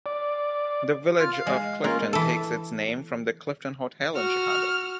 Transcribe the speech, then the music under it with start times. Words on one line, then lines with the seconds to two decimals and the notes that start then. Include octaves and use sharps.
The village of Clifton takes its name from the Clifton Hotel in Chicago.
0.06 D5
1.19 F4 F6
1.33 F5
1.47 G#3
1.84 G#3 A#3 C#4 F4
2.13 E3 A4
4.15 F#4 F6